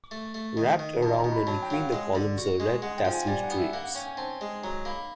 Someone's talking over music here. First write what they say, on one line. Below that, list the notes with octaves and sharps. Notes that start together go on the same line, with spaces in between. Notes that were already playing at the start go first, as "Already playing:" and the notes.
Wrapped around and between the columns are red tasseled drapes.
A3
A3
D#3
D#3
B2 A5
A#5
B2
B5
F#3 A5
G5
F#3 F5
F#5
G#3
D3
F#4
G#3
G#3 F#5
G5
F3
G#5
G3 G#5
F#5
B3
E5
A#3 F#5
F#5
C#4 G5
G#5
C4 A5
G#3
F#3 A#5
A#3 B5